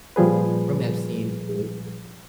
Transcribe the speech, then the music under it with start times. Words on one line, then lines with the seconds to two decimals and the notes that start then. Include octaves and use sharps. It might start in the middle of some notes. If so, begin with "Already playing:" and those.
from Epstein through
0.16 A#2 F3 G3 G#4 B4